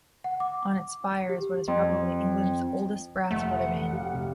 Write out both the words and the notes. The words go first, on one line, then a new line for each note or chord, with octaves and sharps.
On its spire is what is probably England's oldest brass weather vane.
F#5
D6
G4
F2
F1 A3 F#5
G4 F5
C3 G4